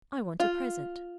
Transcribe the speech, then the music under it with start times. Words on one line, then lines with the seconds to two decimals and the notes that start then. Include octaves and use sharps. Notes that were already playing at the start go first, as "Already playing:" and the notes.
I want a present.'
0.40 F4